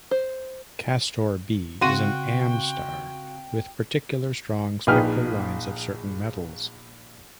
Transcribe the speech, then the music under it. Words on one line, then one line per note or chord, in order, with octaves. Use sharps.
Castor B is an Am star, with particularly strong spectral lines of certain metals.
C5
C#3 C4 F#4 F5 G5 C6 D#7
A#1 D#4 G#4 B4 G5 F6